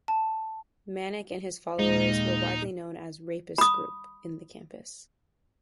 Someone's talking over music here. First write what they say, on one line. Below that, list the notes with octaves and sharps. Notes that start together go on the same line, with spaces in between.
Manik and his followers were widely known as ""Rapist Group"" in the campus.
A5
D#2 A#2 G#3 D#4
B5 D#6